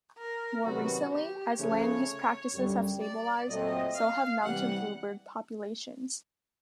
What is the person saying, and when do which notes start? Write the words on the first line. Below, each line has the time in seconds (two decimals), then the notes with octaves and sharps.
More recently, as land-use practices have stabilized, so have Mountain Bluebird populations.
0.18 A#4
0.64 C3 D#3 F#3 B3 F#4
1.12 G4
1.59 C#3 F3 A3 C#5
2.53 F#2 D3 G3
3.01 D5
3.47 A#2 F#3 A3 C4 D#5
3.94 F5
4.42 C3 E3 G3 F#5